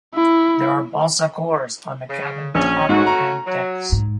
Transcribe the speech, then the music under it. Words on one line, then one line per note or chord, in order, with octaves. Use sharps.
There are balsa cores on the cabin top and decks.
E4
C#3
A#1 C#4
G#2 A3 C#4 F#4 C#6
A#5
F#3
G#2